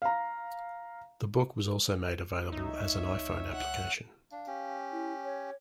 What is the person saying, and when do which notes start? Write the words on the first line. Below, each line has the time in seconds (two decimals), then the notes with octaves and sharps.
The book was also made available as an iPhone application.
0.02 F5 A#5
2.52 C#2 D#4 C#5 E5
3.51 F#5 F#6
4.32 D4 F5
4.47 C#4 G4
4.92 E4
5.25 C#5